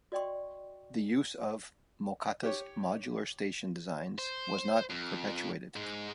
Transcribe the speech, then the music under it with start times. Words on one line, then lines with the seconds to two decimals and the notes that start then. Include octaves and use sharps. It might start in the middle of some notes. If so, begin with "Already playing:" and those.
The use of Mocatta's modular station designs was not perpetuated.
0.12 F#4 D5 D#5 G5 C6 C#6
2.43 G4 C#5
4.19 C5
4.90 F2
5.76 G#2 G#3